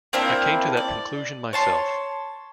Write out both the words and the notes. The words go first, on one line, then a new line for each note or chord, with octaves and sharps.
I came to that conclusion myself.
A#3 C4 D4 E4
D5
C#5 A5 C6